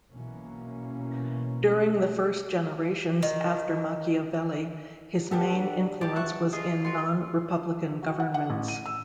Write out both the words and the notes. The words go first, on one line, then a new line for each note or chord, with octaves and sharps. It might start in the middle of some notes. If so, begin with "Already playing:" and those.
During the first generations after Machiavelli, his main influence was in non-Republican governments.
B1 B2 E3 A#3 C#4
D#3
B3 D4 G4 A4
G2 F3 G4 D5 A5
E5 F#5 C#6
F4 G#4 D#5
D#3 F4 F#4 C6
F#4
F#5
F#5
A1
D#7
E6